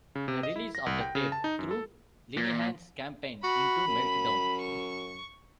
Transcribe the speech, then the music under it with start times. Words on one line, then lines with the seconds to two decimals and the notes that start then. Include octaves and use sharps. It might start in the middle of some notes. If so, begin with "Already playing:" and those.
The release of the tape threw Lenihan's campaign into meltdown.
0.15 C#3
0.28 C3
0.43 D#5
0.56 E4
0.75 A#6
0.86 C2
1.01 G5
1.15 C#3
1.32 A5
1.44 D#4
1.59 F#2
1.71 A4
2.37 A#2
3.44 F#4 B5
3.88 F#2
4.61 C#6